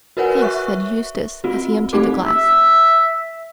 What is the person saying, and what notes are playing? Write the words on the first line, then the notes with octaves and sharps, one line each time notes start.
"Thanks," said Eustace, as he emptied the glass.
F#4 A#4 B4 C#5 F#5 G#5
E5 C#6 F#6
C4 F4 F#4
A3 C4 D#4 G4 A4 D6
E5